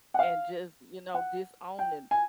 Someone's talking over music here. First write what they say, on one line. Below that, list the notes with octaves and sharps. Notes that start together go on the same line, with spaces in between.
and just, you know, disowning
F#5
F5
F#5
G5
G#5